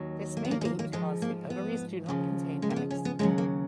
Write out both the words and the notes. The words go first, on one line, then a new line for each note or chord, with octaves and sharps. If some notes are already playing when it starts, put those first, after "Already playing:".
This may be because the ovaries do not contain eggs.
Already playing: D#2 D#3 F#3
A#3
B3
A#3
G#3
A#3
A#3
G#2 F3 G#3
A#3
B3
D#2 C#3 F3
G#3
A#3
B3
C#4
B3
D#2 C#3 F#3 G#3
A#3